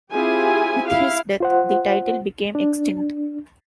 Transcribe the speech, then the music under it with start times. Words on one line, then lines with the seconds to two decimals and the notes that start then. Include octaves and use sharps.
With his death the title became extinct.
0.12 C4 E4 F4 G4 G#4 G#5
0.87 E4 F5
1.40 F4 C5 F#5
2.55 D4